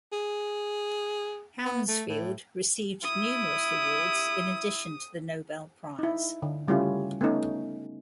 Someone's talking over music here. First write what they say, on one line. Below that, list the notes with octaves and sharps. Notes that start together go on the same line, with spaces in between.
Hounsfield received numerous awards in addition to the Nobel Prize.
G#4
B3
A3
A2
E4 D#6
D#4 E4
D3
C#3 G3 A3 C#4 E4 F4
A3 B3 C#4 D#4